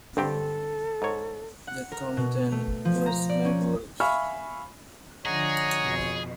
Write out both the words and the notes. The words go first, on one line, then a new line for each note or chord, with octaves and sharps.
The content was nebulous.
G2 D3 C4 G4 A4
G#2 C#5
F#5
A#4
B2
A3
F3
A#5
D5
C#4
E5 F5 G#5 B5 C#6 F6
D3 F3 G#4 C#5 D#5 F#5 A#5
F2 B2